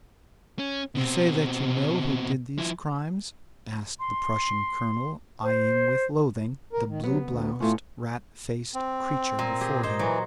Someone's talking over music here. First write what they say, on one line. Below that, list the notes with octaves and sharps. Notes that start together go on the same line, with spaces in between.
"You say that you know who did these crimes?" asked the Prussian colonel, eyeing with loathing the blue-bloused, rat-faced creature before him.
C#4
B2 C4
F3 E4
C6
C5
A#4
D#3
C3 F#3 B3
D2
A2 A3 C#4 F4
C4
A#2
G4 G#4
D#4 C5
E3 F#3